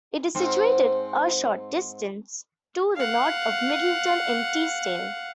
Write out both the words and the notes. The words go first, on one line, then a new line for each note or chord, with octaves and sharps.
It is situated a short distance to the north of Middleton-in-Teesdale.
G#2 C4
F5 F#5